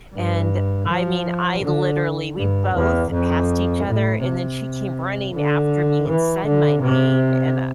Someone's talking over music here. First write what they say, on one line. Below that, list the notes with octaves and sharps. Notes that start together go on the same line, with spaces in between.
And, I mean, I literally we both passed each other, and then she came running after me and said my name, and,
G2
F3
D3
G2
E2
F2
A2
C3
D3
E3
D3
C3